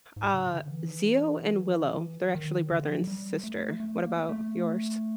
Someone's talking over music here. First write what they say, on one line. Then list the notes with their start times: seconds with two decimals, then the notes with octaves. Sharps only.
Uh, Zeo and Willow- they're actually brother and sister. What about yours?
0.16 G#2
0.34 C#3
0.52 D3
0.70 E3
2.35 D#3
2.71 D3
2.84 F3
2.96 F#3
3.07 G3
3.43 A3
3.80 A3
4.05 A#3
4.29 A3